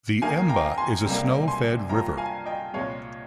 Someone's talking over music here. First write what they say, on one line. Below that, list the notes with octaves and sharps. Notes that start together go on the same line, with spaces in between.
The Emba is a snow-fed river.
D#2 D#3 A#3 F5 G#5
G5 A#5
G#5 C6
C#2 C3 G3 A#3
G#5 C6
G2 F3 A#3 G5 A#5
F5 G#5
D#5 G5
C2 A#2 G#3 C#5 F5